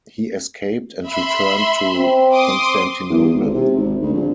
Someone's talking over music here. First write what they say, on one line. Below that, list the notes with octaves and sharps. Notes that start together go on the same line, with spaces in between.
He escaped and returned to Constantinople.
E5 B5 C6
C4
C6 D6 D#6
E2
G#1
C3
G#1
D2
A#1